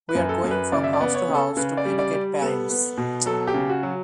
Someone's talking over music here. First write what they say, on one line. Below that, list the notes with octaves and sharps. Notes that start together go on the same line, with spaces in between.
We are going from house to house to educate parents.
B4
F#2
A4
F#2
B4
C#3 D5
E5
D5
B3
C#5
C#3
A4
C#3 B4
D5
G3
D5
G3
B3 A4
B3
B2
F#3 A4
G4
C#3
F#4
F#3